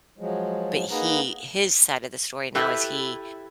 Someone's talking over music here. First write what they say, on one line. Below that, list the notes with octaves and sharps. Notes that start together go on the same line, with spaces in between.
but he his side of the story now is he
F3 F#3 G#3
A#3 D#4 G#4 B4 F#5 A#5
E4 G4 A4 B4 E5